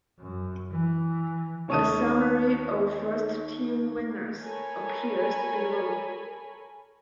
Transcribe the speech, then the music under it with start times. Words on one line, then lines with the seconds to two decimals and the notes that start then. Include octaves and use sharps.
A summary of first team winners appears below.
0.19 F#2
0.71 E3
1.68 D#2 C#4 C#5 A5 D#6 D#7
4.40 A4 A#4 C#5 G#5 B5